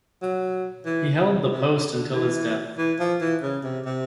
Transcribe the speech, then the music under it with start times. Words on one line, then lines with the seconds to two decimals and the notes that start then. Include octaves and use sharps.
He held the post until his death.
0.22 F#3
0.85 E3
1.18 C3
1.50 C3
1.71 C#3
1.93 D3
2.13 E3
2.78 E3
2.99 F3
3.21 E3
3.42 C#3
3.64 C3
3.85 C3